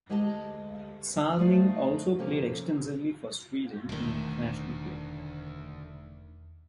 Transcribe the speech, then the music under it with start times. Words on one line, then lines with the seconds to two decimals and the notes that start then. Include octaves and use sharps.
Salming also played extensively for Sweden in international play.
0.09 D2 G#3 G4 D#5 F5 A5
1.39 F3 A3 D#4 A4 D5 F5
2.19 C3 F3 A#3 C#4 G4 A4
3.89 E1 D2 D#3 A3 D4